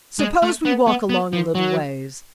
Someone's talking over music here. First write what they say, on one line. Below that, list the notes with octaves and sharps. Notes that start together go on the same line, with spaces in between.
Suppose we walk along a little ways?
G#3
A3
B3
B3
B3
F3
F#3